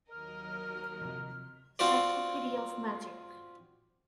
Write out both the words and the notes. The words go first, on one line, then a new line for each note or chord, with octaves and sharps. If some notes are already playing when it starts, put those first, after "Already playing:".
Cyclopedia of Magic.
D#2 F#3 A#4 D#5 F6
C3 F3
C4 F4 F#4 C5 D5